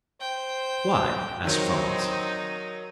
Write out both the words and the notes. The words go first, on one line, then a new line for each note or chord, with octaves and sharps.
"Why?" asked Franz.
C5 G5
D#3 F#3 C4 D#4